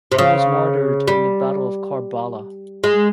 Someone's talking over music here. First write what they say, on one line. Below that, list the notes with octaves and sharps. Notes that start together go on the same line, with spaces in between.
He was martyred in the Battle of Karbala.
C3
C#3
G3
G#3